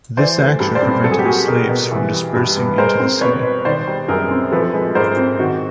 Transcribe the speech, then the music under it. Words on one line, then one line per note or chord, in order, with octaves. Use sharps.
This action prevented the slaves from dispersing into the city.
E3 C5 D5
A3
G2
C5 D5
C4
F#3 A4
G#4
G4
A#3 F#4 G#4
B2 G#4 A#4
B2
E3
G3
G2
B3
G#3 A#4 C5
C4
B2 B4 C#5
B2
D#3 C5 D5
G3
F#2 G#4 A#4
C4
F3 A4 B4
G#3
G#2 A#4 C5
C4
D#3 F#4